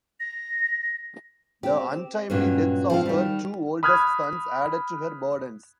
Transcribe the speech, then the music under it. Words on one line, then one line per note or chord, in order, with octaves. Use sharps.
The untimely deaths of her two oldest sons added to her burdens.
A#6
C4 G4
G2 A#2 F#3 C#4
F3 C4 F4
D#3 G3
B5 D#6 F6 F#6 G#6